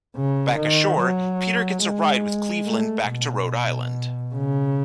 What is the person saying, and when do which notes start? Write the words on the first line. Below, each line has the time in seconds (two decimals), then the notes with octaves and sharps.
Back ashore, Peter gets a ride with Cleveland back to Rhode Island.
0.16 C#3
0.57 D#3
1.00 F#3
1.83 G#3
2.66 A3
3.09 B2
4.34 C#3